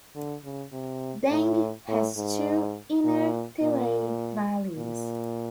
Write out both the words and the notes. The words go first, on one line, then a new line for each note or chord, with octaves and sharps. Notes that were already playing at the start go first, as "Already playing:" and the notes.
Dang has two "Inner Terai Valleys".
D3
C#3
C3
A2
A2
G#2
A#2
A#2
A#2